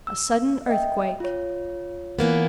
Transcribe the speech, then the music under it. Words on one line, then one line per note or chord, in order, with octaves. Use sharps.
A sudden earthquake.
E6
D#5 E5 G5
F4 C#5
E3 A#3 B3